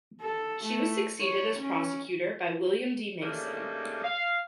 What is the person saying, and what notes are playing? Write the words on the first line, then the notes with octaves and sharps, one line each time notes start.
She was succeeded as prosecutor by William D. Mason.
A4
A3
C#5
C#4
C#3 G3 A3 A#3 D4 D#4
F5